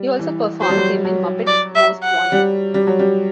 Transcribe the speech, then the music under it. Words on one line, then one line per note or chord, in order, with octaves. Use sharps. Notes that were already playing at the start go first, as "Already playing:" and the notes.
He also performed him in "Muppets Most Wanted".
Already playing: G3
E3
F#3 C5
G3
F#3
F#3
D5
E5
F#5
G3
G3
F#3
G3